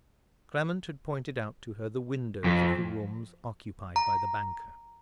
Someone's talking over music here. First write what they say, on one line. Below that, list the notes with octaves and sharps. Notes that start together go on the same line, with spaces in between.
Clement had pointed out to her the windows of the rooms occupied by the banker.
F2
A#5